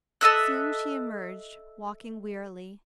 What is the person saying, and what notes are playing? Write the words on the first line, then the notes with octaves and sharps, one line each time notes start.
Soon she emerged, walking wearily.
A4 D#5 E5 F#6